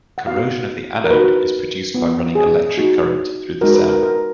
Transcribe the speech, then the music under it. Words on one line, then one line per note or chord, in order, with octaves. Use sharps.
Corrosion of the anode is produced by running electric current through the cell.
F#5
B3 D#4 F#4 F5
A#4
A#3 D#4 F#4 B4
B3 F4
G#4
A#3 D#4 F#4
G#3 D#4 F#4 A#4
B4
A#4
A#4